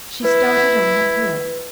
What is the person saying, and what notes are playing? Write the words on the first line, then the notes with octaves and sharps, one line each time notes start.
She started on her pillow.
E4 B4